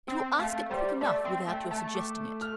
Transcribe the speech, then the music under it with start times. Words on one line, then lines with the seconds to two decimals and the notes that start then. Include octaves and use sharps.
It will ask it quick enough without your suggesting it.
0.08 C4 G5
0.39 A3 F5
0.70 G3 C5
1.01 A3 D5
1.25 C4 G5
1.47 A3 G5
1.71 A3 A5
1.95 D6
2.41 F6